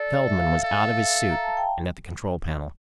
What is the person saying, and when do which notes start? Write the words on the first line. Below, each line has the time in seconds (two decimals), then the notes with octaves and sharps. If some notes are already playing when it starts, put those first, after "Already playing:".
Feldman was out of his suit and at the control panel.
Already playing: A4 D5
0.28 E5
0.37 F5
0.46 E5
0.54 F5
0.63 A4
0.93 F5
0.99 E5
1.31 A#5
1.44 A5
1.57 G5